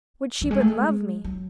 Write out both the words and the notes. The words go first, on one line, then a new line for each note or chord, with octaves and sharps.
Would she but love me!
E3
G#3
A3
G#3
F#3